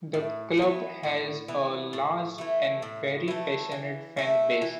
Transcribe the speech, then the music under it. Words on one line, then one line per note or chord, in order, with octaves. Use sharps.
The club has a large and very passionate fan base.
A2
E3 B3
A2
E3 B3
A2
E3 A3
A2
E3 A3
E3
A3 E4
E3